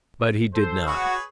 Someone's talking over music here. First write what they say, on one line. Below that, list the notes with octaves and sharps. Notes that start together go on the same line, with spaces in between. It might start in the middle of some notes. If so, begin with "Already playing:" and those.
But he did not.
A4 C5
F#4 G#4 B4 C#5